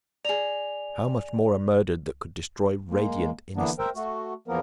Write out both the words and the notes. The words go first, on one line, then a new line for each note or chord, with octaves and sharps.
How much more a murdered that could destroy radiant innocence!
G#4 D5 A#5 F7
G#3 A#3
D3 E3 A#3 B3 D4
A#4 C5 E5 G5
A3 F#4
E2 F3 A#3 B3 A#4